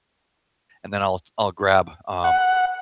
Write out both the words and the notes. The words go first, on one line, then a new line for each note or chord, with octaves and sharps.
and then I'll I'll grab, um,
F#5